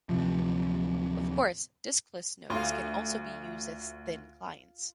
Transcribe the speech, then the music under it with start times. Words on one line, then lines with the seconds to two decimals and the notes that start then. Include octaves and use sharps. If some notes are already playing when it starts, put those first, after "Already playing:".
Of course, diskless nodes can also be used as thin clients.
0.09 D1 B1 C3 F3
2.50 D2 F4